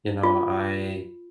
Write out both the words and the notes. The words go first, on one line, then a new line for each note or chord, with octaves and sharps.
you know, I
F4